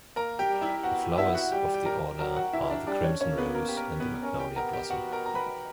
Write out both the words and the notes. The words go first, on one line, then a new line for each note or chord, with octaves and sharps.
The flowers of the Order are the crimson rose and the magnolia blossom.
A#3 A#4 A#5
G4 G5
G3
E4 E5
B3 F#4 F#5
B3 E4 E5
F#4 F#5
G3 G4 G5
G5
A#4 A#5
F#3 A#4 A#5
F#4 F#5
E3 E4 E5
D4 D5
G3 D4 D5
C#4 C#5
A#3 C#4 C#5
B3 B4
A#4
G4
A#4
B3 B4
C#4 A#4
G4 G5
B3 A#4 A#5
G4 G5
B3 F#4 F#5
A#4 A#5
A#5
B4 B5